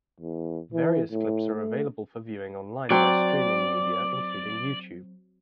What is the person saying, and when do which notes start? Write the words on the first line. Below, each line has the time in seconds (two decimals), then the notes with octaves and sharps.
Various clips are available for viewing online by streaming media, including YouTube.
0.20 E2
0.73 E3
1.12 A2
1.55 A3
2.90 F#3 C4 D5